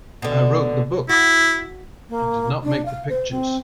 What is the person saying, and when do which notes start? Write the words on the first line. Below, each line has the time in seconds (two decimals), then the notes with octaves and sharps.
I wrote the book; I did not make the pictures.
0.22 B2 D3
1.09 E4 F#4
2.09 A#3
2.63 D4
2.85 F5
3.09 C5
3.31 C4